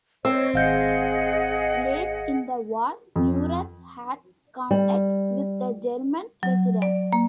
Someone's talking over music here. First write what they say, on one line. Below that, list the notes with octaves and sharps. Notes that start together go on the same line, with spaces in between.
Late in the war, Neurath had contacts with the German resistance.
C4 C5 C#5 D#5 E6
G#1 G#4 D#5 F5 F#5 G6
F2
G3
F#3
D5
A#3